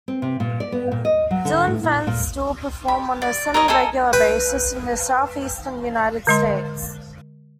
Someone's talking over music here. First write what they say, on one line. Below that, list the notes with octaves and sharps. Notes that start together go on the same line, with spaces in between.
Dillon Fence still perform on a semi-regular basis in the Southeastern United States.
C4
C3
A#2
D5
B3
A#2
D#5
F#3
D3
A2
A#2
A#2
B5
D5
A#4 C#5 D#5
A4 A#4 D#5 G#5
B4 G5
D3 G#3 C6